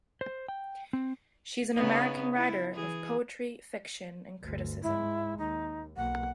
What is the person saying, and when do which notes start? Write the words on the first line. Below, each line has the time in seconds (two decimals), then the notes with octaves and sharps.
She is an American writer of poetry, fiction, and criticism.
0.21 C5
0.48 G5
0.93 C4
1.74 C#3 B3 D#4
2.34 E4
2.72 E3 G#4
4.41 G1 D2
4.82 G#2 G#3 E4
5.38 D#2 D#4
5.97 B1 A#3 F#5